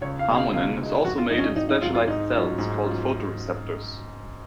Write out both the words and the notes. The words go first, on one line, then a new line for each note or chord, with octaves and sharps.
Harmonin is also made in specialized cells called photoreceptors.
C#2 C#5
F5
B2 G#3 D#4
F5
C#2 F5
B2 G#3 D#4
G#1 F#4
F4
G#2 F#3 D#4
C#4
D#4
G#1 D#4
D#4
G#2 F#3 F4
F4
G#2 D#4
F#3 C#4 F4
G#2
F#3 C#4 F4